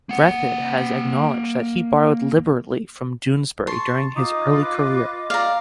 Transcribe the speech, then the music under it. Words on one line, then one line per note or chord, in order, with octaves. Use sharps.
Breathed has acknowledged that he borrowed liberally from Doonesbury during his early career.
A#3 F#5
A5 C6 C#6
D#4 F4 D#5 D6
B4
D5 F5 A#5